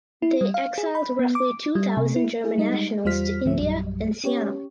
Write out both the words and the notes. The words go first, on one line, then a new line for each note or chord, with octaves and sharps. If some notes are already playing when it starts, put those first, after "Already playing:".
They exiled roughly two thousand German nationals to India and Siam.
E4
G3
F5
G#4
B5
B3
D6
G3
C3
E4
E4 G#4
G3 G#3 D#4 D#5
E2 G3 F4 C5 F6 B6
C#2 G#2 D3 F3 A3 E5
A#1 F#2 F#3 G3
C#4 G4 C#5